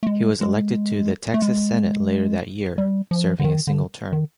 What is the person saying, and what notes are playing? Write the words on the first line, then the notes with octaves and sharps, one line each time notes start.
He was elected to the Texas Senate later that year, serving a single term.
A3
G#3
G#3
A3
G#3
G3
F3
D3
D#3
D3
D#3